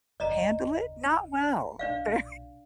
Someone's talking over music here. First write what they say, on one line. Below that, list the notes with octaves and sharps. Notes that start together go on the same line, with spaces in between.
handle it? Not well, very,
F#1 D#2 D5 D#5 A#5
B1 A#2 D4 D5 F5